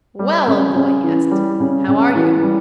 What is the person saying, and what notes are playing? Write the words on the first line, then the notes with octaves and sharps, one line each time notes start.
"Well, old boy!" he asked, "how are you?"
G3
C#3
C#3
E3
G3
C#3
C#3
E3
G3